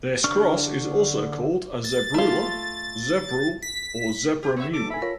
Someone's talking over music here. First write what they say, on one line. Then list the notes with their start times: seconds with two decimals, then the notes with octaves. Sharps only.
This cross is also called a zebrula, zebrule, or zebra mule.
0.24 D3 D4 C#6 F6
1.84 A6
2.14 A3 F4
3.62 B6
4.43 G4
4.56 B3 C#5 E5
4.73 A4 D6
4.90 E5 G#5 B5
5.02 F4 A#4 C#5